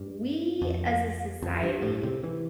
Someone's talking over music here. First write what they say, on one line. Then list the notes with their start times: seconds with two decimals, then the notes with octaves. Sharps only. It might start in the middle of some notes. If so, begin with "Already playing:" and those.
we, as a society,
Already playing: G2
0.62 F2
1.43 F2
1.63 G2
1.82 A2
2.03 C3
2.24 E3